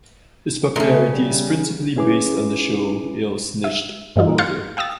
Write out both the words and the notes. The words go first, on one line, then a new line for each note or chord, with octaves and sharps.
His popularity is principally based on the shows Alles nichts oder?!
A#2 C#3 A3
G3
C#4 E4 G#4 B4 D6
E5
G2 E3 G3 D#4 F4
F5 C6 F6 G6 A6 C#7
F5 G5 D#6 E6 A6